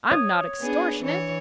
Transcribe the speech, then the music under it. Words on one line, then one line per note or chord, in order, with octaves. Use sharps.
I'm not extortionate.
C#5 D#6
B3 D4 G#4
E3 C#5